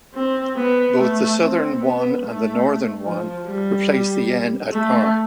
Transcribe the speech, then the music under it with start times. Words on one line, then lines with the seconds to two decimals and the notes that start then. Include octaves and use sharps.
Both the Southern won and the Northern won replaced the yen at par.
0.14 C4
0.56 B3
0.98 A3
1.39 C4
1.81 B3
2.22 A3
3.06 F3
3.47 G3
4.72 A3